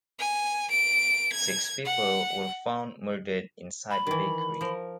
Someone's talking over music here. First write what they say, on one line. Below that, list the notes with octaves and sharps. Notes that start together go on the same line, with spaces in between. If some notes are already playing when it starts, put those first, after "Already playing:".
Six people were found murdered inside the bakery.
G#5
D7
G#6
F#5
B5
D#3 E3
F3 A#4